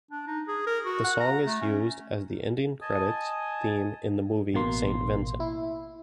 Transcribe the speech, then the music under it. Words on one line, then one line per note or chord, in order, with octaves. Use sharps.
The song is used as the ending credits theme in the movie "Saint Vincent".
D4
D#4
G#4
A#4
F#4
F#5
A#5
A3
C#4
D#5 G#5 A5 D#6
A1 B2 A#3 C6
E4